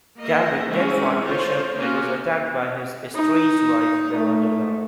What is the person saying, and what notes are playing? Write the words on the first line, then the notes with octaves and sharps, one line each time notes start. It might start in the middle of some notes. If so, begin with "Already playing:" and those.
Gambit then fought Bishop and was attacked by his estranged wife Bella Donna.
A#3 D#5 E5
E3 G#3 C4 C#4
F4 C5 C#5
A#3 C#4 F4 F#4
D#4
A3